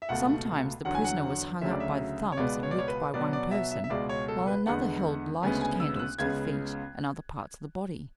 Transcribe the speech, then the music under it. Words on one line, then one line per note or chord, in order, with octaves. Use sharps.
Sometimes the prisoner was hung up by the thumbs, and whipped by one person, while another held lighted candles to the feet and other parts of the body.
E5
C#2 B2 A3 F#5
E2 D3 F#3 F#5
G#5
F#5
D2 C#3 F#3 E5
D5
E5
C#5
C#2 B2 G#3 B3 D5
C#5
D5
C#5
B4
B2 F#3 B3 D5
D5
E5
E5
E5
C#2 B2 G#3 D5
C#5
A4
B4
E2 D3 G#3 B3 F#5
D2 C#3 G#3 B3 G#5
G#5
E6
E6
F#6
C#2 C#3 G#3 B3 G#6